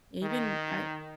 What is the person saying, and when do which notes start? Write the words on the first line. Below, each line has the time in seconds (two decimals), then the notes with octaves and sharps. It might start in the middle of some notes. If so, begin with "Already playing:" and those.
even I
0.22 D#3